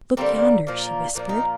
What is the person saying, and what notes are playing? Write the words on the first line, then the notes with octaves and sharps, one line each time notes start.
"Look yonder," she whispered.
D3 G3 A#3 C4
A#2 F3 A#3
A#2 F3 A#3 D4
D#4